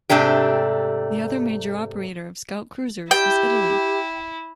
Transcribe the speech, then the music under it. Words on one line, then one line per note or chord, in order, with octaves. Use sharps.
The other major operator of scout cruisers was Italy.
G#2 C3 A3 D4 G4
E4 G4 G5